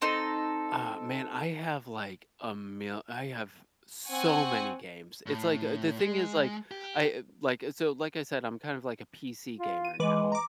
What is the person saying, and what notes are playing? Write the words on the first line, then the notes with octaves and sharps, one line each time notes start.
Uh, man, I have, like, a mil I have so many games. It's, like, a the thing is, like, I, like, so, like, I said, I'm kind of, like, a PC gamer now,
C4 D#4 A4
C4 F#5 G#5 C#6
A2
G#3
G4
F4
D#7
E3 G#3 B4 D6
A#5 D6